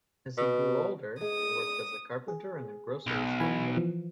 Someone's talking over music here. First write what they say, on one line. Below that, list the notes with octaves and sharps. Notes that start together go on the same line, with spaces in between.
As he grew older, he worked as a carpenter and a grocery store clerk.
B2
G#3 D#6
G#4
B1
E3 G#5 B5
E3 F3